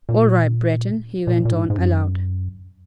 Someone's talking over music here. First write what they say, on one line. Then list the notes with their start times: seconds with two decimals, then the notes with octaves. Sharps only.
"All right, Breton," he went on aloud.
0.09 A#2
1.27 A#2
1.45 A#2
1.52 G#2
1.70 G#2
1.78 F#2